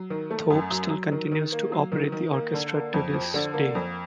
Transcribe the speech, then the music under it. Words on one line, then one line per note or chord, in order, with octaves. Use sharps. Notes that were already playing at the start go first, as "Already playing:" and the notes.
Thorpe still continues to operate the orchestra to this day.
Already playing: F#3
D#3
A3
F#2
F#3
F#3
D#3
D#3
A#3
F#3
D#3
D#3
A#3
D3
A#3
F2
F3
D3
A#3
F2